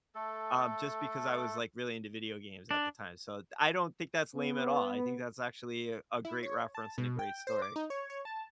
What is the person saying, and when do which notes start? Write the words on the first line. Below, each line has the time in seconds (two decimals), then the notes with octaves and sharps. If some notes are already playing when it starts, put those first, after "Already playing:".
um, just because I was, like, really into video games at the time. So d I don't think that's lame at all, I think that's actually a great reference and a great story.
0.15 A3 A4
2.71 D4
4.35 B3
6.25 E4
6.43 C#5
6.75 A5
6.98 B2
7.19 G5
7.47 C5
7.62 D6
7.76 D#4
7.90 C#5
8.10 C#5
8.25 A5